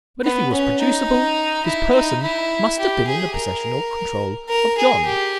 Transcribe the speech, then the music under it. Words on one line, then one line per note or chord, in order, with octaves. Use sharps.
But if he was producible, his person must have been in the possession or control of John.
B3
C#4
D#4
E4
D#4
E4
G4
G#4
A#4
A#4
G#4
G4